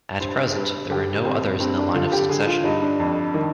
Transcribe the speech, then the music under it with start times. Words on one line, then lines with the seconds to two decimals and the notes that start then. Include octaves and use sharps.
At present, there are no others in the line of succession.
0.20 G2 C5
0.50 G#4
0.55 G2 B4
0.90 D3 G4
1.25 G2 C4
1.60 G2 C4
1.77 D4
1.94 D3 F4
2.12 G4
2.29 D3 G#4
2.47 F4
2.64 G2 D#4
2.82 D4
2.99 F2
3.34 D#3